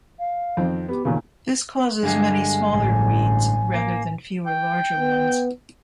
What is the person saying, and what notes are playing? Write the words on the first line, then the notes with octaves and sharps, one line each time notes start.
This causes many smaller reads rather than fewer larger ones.
F5
F2 D#3 C4
B3 G4
D#2 A#2 C#3 C#4
G2 D3 G#3 G#5
A1
A#3
G5
B3